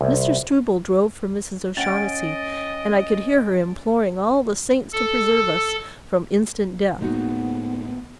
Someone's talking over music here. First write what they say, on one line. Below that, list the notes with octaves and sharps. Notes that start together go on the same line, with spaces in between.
Mr. Struble drove for Mrs. O'Shaughnessy, and I could hear her imploring all the saints to preserve us from instant death.
C2
C#4 D#5 F#5 G5 A6 D7
A4
D2 A2 G#3 A#3 B3 D#4 F#4